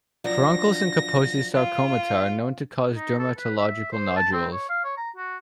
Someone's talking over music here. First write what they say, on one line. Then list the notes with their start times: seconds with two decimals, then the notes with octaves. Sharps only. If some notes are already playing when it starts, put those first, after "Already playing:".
Furuncles and Kaposi's sarcomata are known to cause dermatological nodules.
0.24 F3 F#3 D4 A#6
1.54 F4
2.94 D#4
3.19 A4
3.37 B4
3.57 E5
3.92 C5
4.17 A5
4.33 C4
4.53 C#5
4.69 F5
4.84 C#5
4.97 A#5
5.16 F#4